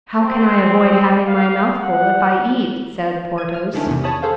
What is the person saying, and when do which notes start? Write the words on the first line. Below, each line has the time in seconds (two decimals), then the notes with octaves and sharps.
"How can I avoid having my mouth full if I eat?" said Porthos.
0.21 C4
1.27 F5
1.79 F#5
3.38 G#6 D#7
3.54 F6
3.74 D3 D#3 C#4 D4 E4
3.87 E2 C3
4.03 C#5 A5 B5 D#6
4.22 G#4 A4 C5 F5